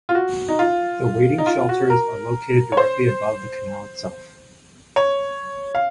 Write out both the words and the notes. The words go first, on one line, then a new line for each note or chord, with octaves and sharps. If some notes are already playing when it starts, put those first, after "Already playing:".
The waiting shelters are located directly above the canal itself.
F4
F#4
D#4
F4
D#4
F4
F#4
A#4
C#5
C5
C#5
F5